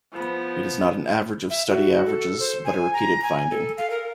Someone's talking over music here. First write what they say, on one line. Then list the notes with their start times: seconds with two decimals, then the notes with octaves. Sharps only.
It is not an average of study averages but a repeated finding.
0.12 F3 B3
1.50 E5
1.68 F#4
2.06 A4
2.40 C5
2.65 G#5
2.93 A#5
3.23 G#5
3.50 A4
3.78 F5
3.90 A#4